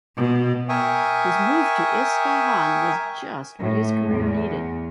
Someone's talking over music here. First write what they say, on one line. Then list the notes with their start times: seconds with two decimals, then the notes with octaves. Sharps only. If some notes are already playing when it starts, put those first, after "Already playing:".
His move to Isfahan was just what his career needed.
0.16 B2
0.69 A#4 E5 G5 G#5 C#6 D#6
3.59 A2
4.12 E2